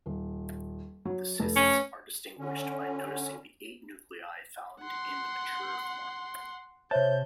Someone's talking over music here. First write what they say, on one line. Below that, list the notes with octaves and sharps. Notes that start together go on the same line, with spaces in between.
The cysts are distinguished by noticing the eight nuclei found in the mature form.
D#1
F#3
F1 A4
C#4
D3 C#4
F#5 C6
C3 C5 C#5 E5 A5 G6